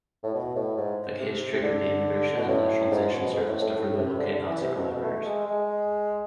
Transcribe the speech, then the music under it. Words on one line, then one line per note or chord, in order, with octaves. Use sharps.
The case triggered the Immigration and Nationalization Service to further locate Nazi collaborators.
A2
B2
A2
G#2
C3
C3
D3
B2
A2
G#2
B2
G#2
A2
A2
A2
C3
D3
D3
E3
C3
B2
B2
A3
G#3
G#3